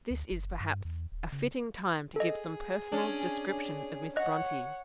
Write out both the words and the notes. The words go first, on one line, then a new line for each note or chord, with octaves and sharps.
This is perhaps a fitting time to give some personal description of Miss Bronte.
D2
F#1
G2
E2
D1
C#3
G#4 A4 D#5
C#4 D4
C#5 D#5 F#5 F#6